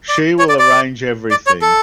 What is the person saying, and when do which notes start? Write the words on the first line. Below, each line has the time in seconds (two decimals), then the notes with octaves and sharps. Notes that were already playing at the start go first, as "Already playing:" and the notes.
She will arrange everything.
0.09 D5
0.39 C#5
0.49 D5
0.59 D5
1.31 D5
1.47 C#5
1.62 A4